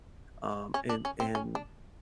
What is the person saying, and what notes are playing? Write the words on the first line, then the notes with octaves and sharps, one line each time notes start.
um, and and
C#4
D4
C#4
C4
C#4
D4